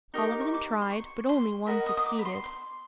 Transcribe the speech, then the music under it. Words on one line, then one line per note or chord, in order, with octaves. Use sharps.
All of them tried, but only one succeeded.
D#4 G4 A#4 D#6
D6
C#6
D6
C6
C#6
C6
F#4 A#4 D#5 B5
D#6
D#6
D6
B5
C6
C6